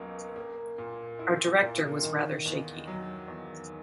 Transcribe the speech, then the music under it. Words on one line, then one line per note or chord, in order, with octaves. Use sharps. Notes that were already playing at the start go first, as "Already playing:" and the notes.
Our director was rather shaky.
Already playing: C#2 B2 F#3 A#3
A#3
A#2
E4
A#2
D#3
E2
F#3
E2